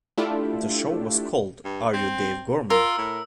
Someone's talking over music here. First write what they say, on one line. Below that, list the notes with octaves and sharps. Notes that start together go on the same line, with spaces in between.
The show was called "Are You Dave Gorman?".
A3 D4 E4 F4 G4 A4
G2
C4
F4 A#4 E6
A2